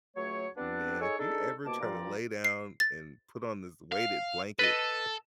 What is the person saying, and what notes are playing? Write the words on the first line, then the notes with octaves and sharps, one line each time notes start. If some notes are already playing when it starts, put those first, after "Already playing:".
man, if you ever try to lay down and put on this weighted blanket,
C#2 F#3 A3 C#5
G3 B3 C4 D4
D#4 G#4 A4 C#5
D4 D#4 G#4 A4
C2 B2 A#3 A5 D6
G2 A#2 F3 F4 D5 A#5
C7
A6
F5
A4 B4 D#5